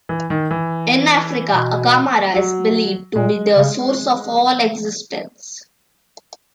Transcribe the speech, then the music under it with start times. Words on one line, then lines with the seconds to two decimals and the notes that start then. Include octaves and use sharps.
In Africa, Akamara is believed to be the Source of all Existence.
0.09 E3
0.30 D#3
0.51 E3
1.52 B2
2.34 F#3
3.15 A#2 G#3
3.57 C#3